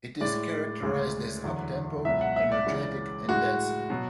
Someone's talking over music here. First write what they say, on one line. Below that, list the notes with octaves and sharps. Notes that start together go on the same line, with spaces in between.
It is characterized as uptempo, energetic, and danceable.
A2 G#3 D5
D2 C#3 G#3
E2 D3 F#3
C#2 B2 F#3 E5
F#5
E5
D5
C#2 C#3 E3
A2 G#3 F#4
B2 F#3